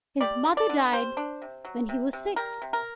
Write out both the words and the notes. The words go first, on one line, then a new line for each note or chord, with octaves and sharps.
His mother died when he was six.
G3 D5
D3
D5
D3
G3 C5
D4
C3
F#3
C3
C3
G3 A#4
C3
A#4